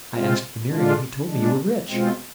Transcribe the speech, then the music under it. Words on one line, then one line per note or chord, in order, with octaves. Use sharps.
'I asked Veneering, and he told me you were rich.'
C3 G#3 C4 F4
D3 G#3 D4 F4
B2 G#3 D4
B2 G#3 C4 F4